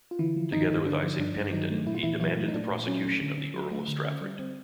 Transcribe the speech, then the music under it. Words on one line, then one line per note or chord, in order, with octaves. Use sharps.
Together with Isaac Penington, he demanded the prosecution of the Earl of Strafford.
F4
D3 E3 E4
F3
G2 D#3 D#4
G2
D3 D4
F3
G2 D4
G2
D#3 F#3 D#4
A3
A#2 E4
F4
A#2 E3 E4
E3 F#3 E4
A3
D#4
A#2 D4
A#2
F#3 C#4
A3
D3
C#4
F#3
A3
D3
C#4
G3
C4